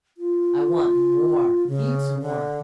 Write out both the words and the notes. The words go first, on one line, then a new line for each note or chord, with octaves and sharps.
'I want more,--heaps more.
F4
C#3
D3